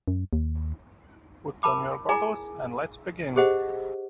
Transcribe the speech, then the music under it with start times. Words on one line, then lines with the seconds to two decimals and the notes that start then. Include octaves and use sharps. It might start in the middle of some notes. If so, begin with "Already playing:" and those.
Put on your goggles and let's begin.
0.08 F#2
0.33 D#2
1.63 A#4 A5 B5 D6
2.09 E4 G#4 D5 G#5 A#5 D6
3.36 G4 G#4 C5 D#5 F#5